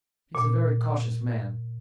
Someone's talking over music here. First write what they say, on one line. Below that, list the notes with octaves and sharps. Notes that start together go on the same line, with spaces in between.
He's a very cautious man.
A#2